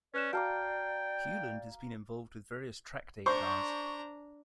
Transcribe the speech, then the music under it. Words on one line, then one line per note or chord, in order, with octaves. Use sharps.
Hewland has been involved with various track day cars.
C#4 B4 D5 F#6 E7
F#4 F5 G5 A5 A#5 D6 F6
D4 C5 A#5 C#6